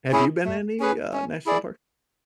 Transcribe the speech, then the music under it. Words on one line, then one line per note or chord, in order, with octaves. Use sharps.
Have you been to any, uh, national parks?
C#4 E4 G#4
A3
C#4 G#4 B4
C#4
E4 G#4 D5